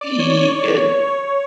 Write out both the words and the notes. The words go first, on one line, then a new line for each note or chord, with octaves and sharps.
Ye uh,
D5
C#5
C#5
C#5